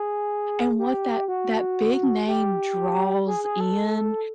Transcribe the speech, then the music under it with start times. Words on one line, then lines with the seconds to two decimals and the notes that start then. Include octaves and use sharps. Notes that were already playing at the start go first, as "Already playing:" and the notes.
and what that that big name draws in,
Already playing: G#4
0.79 G4
1.28 F#4
2.27 G4
3.27 G#4
3.44 G#4
3.61 A4